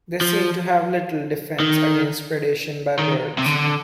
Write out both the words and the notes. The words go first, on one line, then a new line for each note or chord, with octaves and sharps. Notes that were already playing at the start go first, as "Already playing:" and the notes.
They seem to have little defence against predation by birds.
F3
D#3
D#3
C3
D3